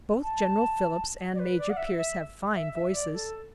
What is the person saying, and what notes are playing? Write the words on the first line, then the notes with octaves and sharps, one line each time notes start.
Both General Phillips and Major Pierce have fine voices.
A5
D5
B4
D5
F#5
E5
E5
E5
E5
D5
A4